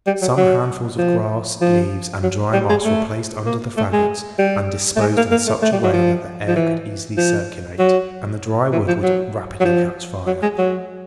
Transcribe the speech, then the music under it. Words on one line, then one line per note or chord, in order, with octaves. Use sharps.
Some handfuls of grass, leaves, and dry moss were placed under the fagots and disposed in such a way that the air could easily circulate, and the dry wood would rapidly catch fire.
G3
F#3
F#3
F3
F3
F#3
G3
G#3
A3
A#3
A3
G#3
G3
A3
G#3
A#3
A#3
A3
A3
G3
F#3
F3
F3
E3
F3
F#3
E3
F3
F#3
F#3
F3
F#3
G#3
F#3